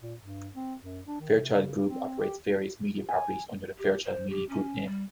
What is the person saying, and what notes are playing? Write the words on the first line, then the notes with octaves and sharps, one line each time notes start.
Fairchild Group operates various media properties under the Fairchild Media Group name.
A#2
G2
C4
F#2
D4
D#3
C3
C#3
C4
G4
G#5
G4
C5
G4
C#4
G3